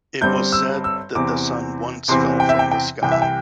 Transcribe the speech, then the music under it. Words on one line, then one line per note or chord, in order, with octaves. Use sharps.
It was said that the sun once fell from the sky.
G1 G2 G3 C4 G6
E6
E6
E2 C3 E3 C4 D6
E2 C3 E3 C4 C6
G5
E5
G5
G5
C2 C3 E3 G5
E5
G5